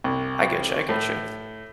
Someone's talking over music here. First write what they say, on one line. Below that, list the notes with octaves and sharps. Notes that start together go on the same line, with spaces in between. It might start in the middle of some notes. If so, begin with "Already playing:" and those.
I get you, I get you.
C2
A2